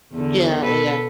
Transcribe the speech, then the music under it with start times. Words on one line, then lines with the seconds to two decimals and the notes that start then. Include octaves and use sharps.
Yeah, yeah.
0.14 E2 D3
0.62 B2 A4 B4